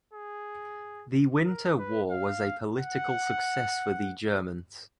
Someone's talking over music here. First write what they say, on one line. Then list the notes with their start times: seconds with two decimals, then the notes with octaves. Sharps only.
The Winter War was a political success for the Germans.
0.13 G#4
1.45 A#4
1.78 B4
2.11 F5
2.77 F#5